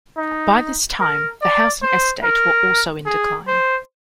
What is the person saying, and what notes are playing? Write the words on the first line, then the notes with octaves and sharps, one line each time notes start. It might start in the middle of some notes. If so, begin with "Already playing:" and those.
By this time the house and estate were also in decline.
D#4
A#4
D5
C5
A#4
G#4
C5